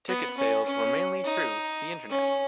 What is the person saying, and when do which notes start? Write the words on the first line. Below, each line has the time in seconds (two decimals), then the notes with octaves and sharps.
Ticket sales were mainly through the Internet.
0.08 B3
0.37 C#4
0.66 C#4
1.24 D#4
2.10 C#4